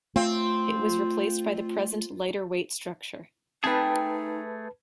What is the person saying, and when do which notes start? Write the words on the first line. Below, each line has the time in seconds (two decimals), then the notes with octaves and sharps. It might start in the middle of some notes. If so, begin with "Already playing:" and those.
It was replaced by the present lighter-weight structure.
0.16 A3 C4 F4
3.64 A3 C4 D#4 G#4 B4 G5 A5